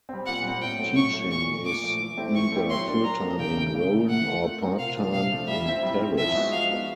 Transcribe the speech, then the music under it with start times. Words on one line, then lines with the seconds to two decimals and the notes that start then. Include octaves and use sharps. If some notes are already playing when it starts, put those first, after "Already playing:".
Teaching is either full-time in Rouen or part-time in Paris.
0.09 G3 C4
0.26 A#2 F#5
0.43 G3 C4
0.61 A2 G5
0.79 F#3 A3
0.96 A2 C#6
1.13 F#3 A3
1.31 A#2 C#6
1.48 F3 A3
1.65 A#2 D6
1.83 F3 A3
2.00 E3
2.17 A3 C4 E4 G4
2.35 E3 C#6
2.52 A3 C4 E4 G4
2.70 F#3 C6
2.88 A#3 D4
3.04 F#3 A#5
3.22 A#3 D4
3.39 C#3 G5
3.57 E3 A3
3.75 C#3
3.91 E3 A3
4.09 A3 F#5
4.26 C4 F4 A#4
4.44 A3
4.62 C4 F4 A#4
4.79 C3 F5
4.96 F3 A3 D4
5.13 C3 F5
5.31 F3 A3 D4
5.48 G3 E5
5.65 C4 E4
5.83 G3
6.00 C4 E4
6.18 F3 E5
6.35 G#3 B3 D#4 F#4
6.52 F3 F5
6.70 G#3 B3 D#4 F#4